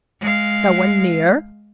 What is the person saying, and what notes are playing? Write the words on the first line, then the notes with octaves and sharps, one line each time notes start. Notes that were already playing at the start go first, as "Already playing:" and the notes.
No one near.
G#3 F5